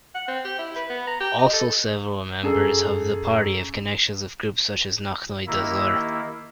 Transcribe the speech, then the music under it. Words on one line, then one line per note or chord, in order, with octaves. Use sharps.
Also several members of the party have connections with groups such as Nochnoy Dozor.
F#5
C4
G4
E4
B4
B3
A#5
G4
D#5
A4
F#2 G#4 A4
D#3 A#3 E4 G4 D#5 E6